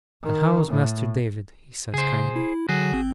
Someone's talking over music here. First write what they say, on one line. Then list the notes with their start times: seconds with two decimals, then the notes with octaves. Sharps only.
'And how is Master David?' he says, kindly.
0.23 D#3
0.69 A2
1.94 C#3 G#4 C5
2.36 E4
2.69 D3 F#3 F#4 G#4
2.93 G1 C4